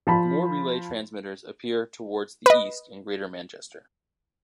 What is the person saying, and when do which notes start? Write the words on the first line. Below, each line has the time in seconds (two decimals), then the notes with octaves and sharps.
More Relay Transmitters appear towards the east in Greater Manchester.
0.07 F3 A5 B5
2.46 B4 D#5